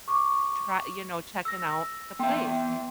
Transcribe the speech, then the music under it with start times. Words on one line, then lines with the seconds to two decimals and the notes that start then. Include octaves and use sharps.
try you know, checking out the place,
0.08 C#6 D6
1.45 E6 A#6
2.19 B3 E5 G5 C6